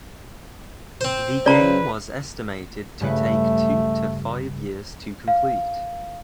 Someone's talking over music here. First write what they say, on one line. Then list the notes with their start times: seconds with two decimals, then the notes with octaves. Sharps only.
The game was estimated to take two to five years to complete.
1.01 C4 C5
1.46 C#3 B4 D5 A#5
3.01 G2 C#3 A3 B4
5.28 F5